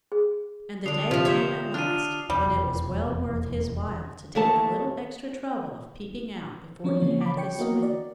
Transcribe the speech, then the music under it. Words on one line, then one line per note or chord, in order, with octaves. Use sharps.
And the day came at last when it was well worth his while to take the little extra trouble of peeping out before he had his swim.
G#4
D3 D4 D#6 C7 F7
C3 F3 F4 F7
C5 C#5 E5
D4 F4 F6 D#7
F1 E2 G3
D#2 A3 A4 A5
F3 C4 C#4 C#5
C#3 E3 F3 A#3 C#4 C#5
B5 D6
C#5 G5 C#7
A#3 B3 F#4 A#4 D#5
D5